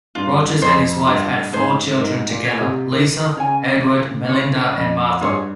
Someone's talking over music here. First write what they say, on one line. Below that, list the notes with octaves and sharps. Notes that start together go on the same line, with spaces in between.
Rogers and his wife had four children together: Lisa, Edward, Melinda and Martha.
G2 F4
F2 G#4 C5
G2 F4
G#2 G#4 C5
G#2 A#4
A#2
C#5 G#5
C3
D#3 A#4
C#3 C#5 G#5
C#3 C#4
C#3 F4 G#4 C#5
F2 C#4
G2 F4 G#4 C#5